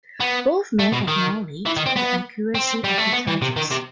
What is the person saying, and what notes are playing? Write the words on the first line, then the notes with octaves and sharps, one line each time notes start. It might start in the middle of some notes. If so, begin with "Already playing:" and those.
Both men acknowledged the accuracy of the charges.
B3
A3
B2
D#3
E3
D#3
C4
B3
C4
G3
A3
B3
E3
C3
D#3
C3